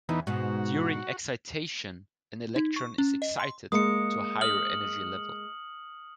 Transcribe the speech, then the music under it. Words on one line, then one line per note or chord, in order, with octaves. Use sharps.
During excitation, an electron is excited to a higher energy level.
E2 E3 B3 D#4
G#2 B2 F#4
D#4
C#6
C#4
D#5
C6
G#3 A#3 D#6 C#7
D#6 F6 F#7